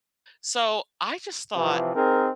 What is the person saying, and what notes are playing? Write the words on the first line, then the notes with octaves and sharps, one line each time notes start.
so I just thought
C3 E3 F3 C4
C4 D#4 G#4 A#4